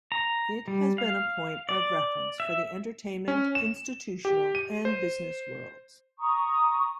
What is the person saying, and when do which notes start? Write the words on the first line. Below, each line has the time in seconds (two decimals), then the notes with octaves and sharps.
It has been a point of reference for the entertainment, institutional and business worlds.
0.12 A#5
0.68 G3
0.98 F5
1.69 D5
2.40 E5
3.28 C#4
3.55 E7
4.25 G4
4.55 D#7
4.85 C5
6.19 A#5 C#6 D#6